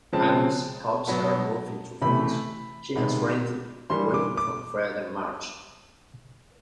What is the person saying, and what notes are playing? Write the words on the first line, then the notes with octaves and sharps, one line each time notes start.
Agnes helps her move into rooms she has rented away from Fred and Marge.
C#3 F3 G#3 C4 A5
B2 F#3 B3
C3 E3 A3 B5
C3 D#3 G#3 B3
E3 G3 A#3 C6
D6
D6